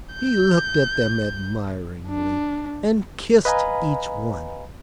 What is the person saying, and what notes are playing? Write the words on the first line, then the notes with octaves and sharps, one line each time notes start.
He looked at them admiringly, and kissed each one.
G6
D4
B4 D#5 F5 G#5 A#5 B5